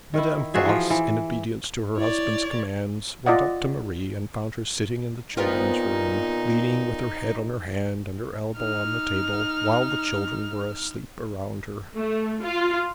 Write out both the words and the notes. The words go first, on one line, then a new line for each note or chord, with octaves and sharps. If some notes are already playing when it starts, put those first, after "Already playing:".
Madame Voss, in obedience to her husband's commands, went up to Marie and found her sitting in the children's room, leaning with her head on her hand and her elbow on the table, while the children were asleep around her.
D#3 E4
F4 F#4 G#4 E5
E3 F3
E3
E4 C#5 D5
F4 D5 D#5 F#5
A#2 B3 C4 D#4 F4
D#4 F6
A3
F4